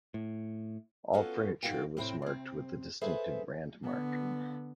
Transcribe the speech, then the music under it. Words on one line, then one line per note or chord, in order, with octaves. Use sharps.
All furniture was marked with the distinctive brand mark.
A2
B3 C#4 F4 F#4 A4
D2 D#3 F4 F#4 F5 G5
A2 C3 C4 E4 C5 G5
C3 C4
G#4 A4 B4 C5 E5
D3 B3